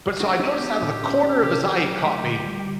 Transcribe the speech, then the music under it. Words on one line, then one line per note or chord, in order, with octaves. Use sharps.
but, so, I noticed out of the corner of his eye, he caught me,
D4 F#4
D4 G4
B3
A2
C#4
C#4
C3 G4
E3 G#4
F#3 G4
A3
D3
G3